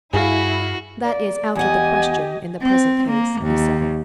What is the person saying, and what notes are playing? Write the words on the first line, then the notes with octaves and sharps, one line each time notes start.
"That is out of the question in the present case," he said.
G2 E4 F#4 G#4 F5
D5
E2 G4 D#5 F#5 G#5
C4
A#3
D#2